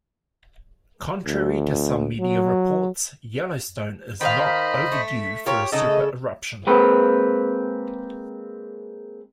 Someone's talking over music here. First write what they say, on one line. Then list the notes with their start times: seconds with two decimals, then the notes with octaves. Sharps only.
Contrary to some media reports, Yellowstone is not 'overdue' for a supereruption.
1.26 D2
2.19 F#3
4.21 D#3 B4 C5 D#5 F5 B5 B6
4.92 A3
5.46 F4 G4 A#4 C#5
5.72 C#3 D#4 A4 D#5
5.86 A3
6.67 G#3 A#3 C4 B4